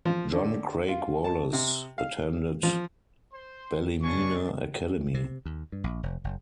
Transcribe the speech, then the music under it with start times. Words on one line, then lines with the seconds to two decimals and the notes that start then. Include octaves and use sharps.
John Craig Wallace attended Ballymena Academy.
0.05 F3
0.33 D3
0.88 F4
1.24 A5
1.53 C3
1.98 F5
2.63 F3
3.32 C5 C6
4.02 C#3 B3 C#4 D4 G#5 C#6
5.14 C3
5.46 D#2
5.72 G2
5.84 A#1
6.03 F1
6.24 F#1